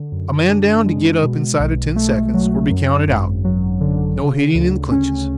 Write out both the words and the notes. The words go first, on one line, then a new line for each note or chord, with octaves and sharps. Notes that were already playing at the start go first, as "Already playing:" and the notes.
A man down to get up inside of ten seconds or be counted out. No hitting in the clinches.
Already playing: D3
F#2
D4
G#3
B2
B1
A3
F#3
F#2
G#1
F#3
D3
C#3
D2
C#4